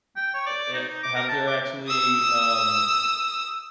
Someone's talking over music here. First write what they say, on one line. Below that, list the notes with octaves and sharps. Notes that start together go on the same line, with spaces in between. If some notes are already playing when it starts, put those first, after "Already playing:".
N uh, eh have there actually, um,
G5
C#5
D5
D#4
D#4
D6
A#4
A5
D6
D#6 E6